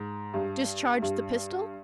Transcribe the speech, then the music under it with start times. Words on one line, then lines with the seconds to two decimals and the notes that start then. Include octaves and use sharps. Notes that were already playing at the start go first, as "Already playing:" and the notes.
Discharge the pistol?
Already playing: G#2
0.34 G2
1.02 G2